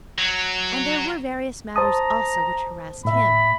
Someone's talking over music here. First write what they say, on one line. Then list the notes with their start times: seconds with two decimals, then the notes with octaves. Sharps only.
And there were various matters also which harassed him.
0.18 F#3
1.76 C5 A5 A#5 D#6
3.05 A2 E5 B5